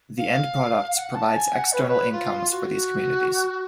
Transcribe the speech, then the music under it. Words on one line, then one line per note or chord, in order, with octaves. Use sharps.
The end products provides external incomes for these communities.
F5
F#5
A5
G#5
F#5
B4
C#5
B4
F4
F#4